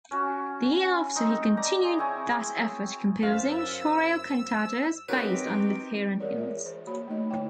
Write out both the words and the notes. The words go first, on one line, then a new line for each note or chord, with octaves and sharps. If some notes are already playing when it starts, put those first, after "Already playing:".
The year after, he continued that effort, composing chorale cantatas based on Lutheran hymns.
C#4 F#4
C4 D#4
D5 A#5
G#4
C4 E4 C#5 G#5
F#2 C5 F5 E6 A6 B6
C4 C#4 D#4 F#4 G4 A#4 B4
E3 G#3 G#4 A#4 C#5 D5
F4 A#4 E5
C5
A#3 F#4 C#5 B5
A3 D#4 D#5
D3 E4 C#5 G5